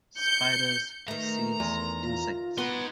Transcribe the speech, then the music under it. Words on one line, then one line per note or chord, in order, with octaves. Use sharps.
Spiders, seeds, insects.
G6 C#7
D#3 A3 B4 A#5
E2 C6
F4
B3 D#4 B4 C6